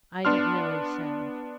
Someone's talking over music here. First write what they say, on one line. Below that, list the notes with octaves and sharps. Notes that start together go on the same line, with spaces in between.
"I don't know," he said.
B3 D4 C6 F6